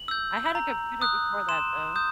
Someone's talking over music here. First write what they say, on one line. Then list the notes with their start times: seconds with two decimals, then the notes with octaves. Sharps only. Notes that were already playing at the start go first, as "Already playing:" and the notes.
I had a computer before that, though.
Already playing: F#7
0.08 E6 G6
0.55 A#5
1.01 D#6 F#6
1.49 C6 E7
1.96 D#6 G6